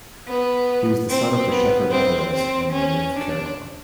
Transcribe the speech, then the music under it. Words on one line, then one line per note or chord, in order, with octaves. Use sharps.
He was the son of the shepherd Everes and the nymph Chariclo.
B3
C4
B3
C4
C4
C#4
D4